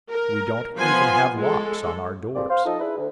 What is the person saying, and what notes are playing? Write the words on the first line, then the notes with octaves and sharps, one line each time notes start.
We don't even have locks on our doors.
A#4
F3 B3 F4 G#5 C6
G#3 A4
E3 A#3 C4 G4 G#4 D5
C5 F5
F3 D#4 A4 D#5
D4 E4 G#4 B4
D2